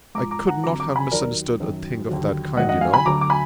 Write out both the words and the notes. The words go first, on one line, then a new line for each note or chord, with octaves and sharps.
I could not have misunderstood a thing of that kind, you know!
G#2 F3 A#5 D6
A#5 D6
F#5 A#5
F2 D3 F#3 A#5 D6
A#5 D6
G#5 B5
D#2 D#3 F#3 A#4 D5
F#2 D#3 F#3
D#2 D3 F#3
G#2 D#3 F#3 D#5 F#5
D#5 F#5
F5 G#5
G#5 B5
D2 D3 F#3 A#5 D6
D6
G#5 B5